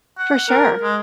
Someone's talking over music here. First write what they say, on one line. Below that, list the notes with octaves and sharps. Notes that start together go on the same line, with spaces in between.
For sure.
F#5
A#4
G#3